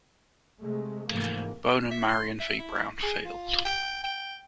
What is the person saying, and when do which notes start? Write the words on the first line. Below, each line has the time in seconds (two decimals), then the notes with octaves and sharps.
Bone and Marion V. Brownfield.
0.61 C3 G#3 A3
1.09 G#2 C3 E3 F3 A3 A#3
1.91 E5
2.09 C6
2.40 E5
2.59 E4
3.03 G#4
3.25 F4
3.65 G5
4.04 G5